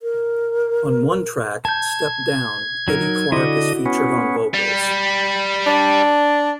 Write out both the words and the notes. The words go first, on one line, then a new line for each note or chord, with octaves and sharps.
On one track, "Step Down," Eddie Clarke is featured on vocals.
A#4
A5 G6 G#6
F#3 D#4 A#4
D3 E4 F#4 D#5
B3 C#4
G3
D4